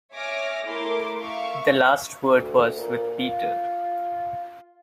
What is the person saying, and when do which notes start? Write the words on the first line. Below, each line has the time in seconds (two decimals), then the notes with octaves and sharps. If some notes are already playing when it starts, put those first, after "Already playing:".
The last word was with Peter.
0.13 C#5 E5 G#5 D6 F6 A#6
0.65 A3 E4 A#4 C6 D6
1.20 E5 F5 C#6
2.33 D2
2.77 A#2
3.19 F4